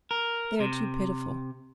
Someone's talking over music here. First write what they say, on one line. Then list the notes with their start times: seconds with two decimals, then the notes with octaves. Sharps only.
They are too pitiful.
0.11 A#4
0.60 C3